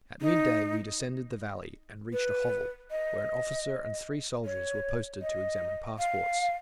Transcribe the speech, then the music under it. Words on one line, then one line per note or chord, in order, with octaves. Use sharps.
At midday we descended the valley, and reached a hovel, where an officer and three soldiers were posted to examine passports.
D#4
B4
D#5
C#5
D#5
F5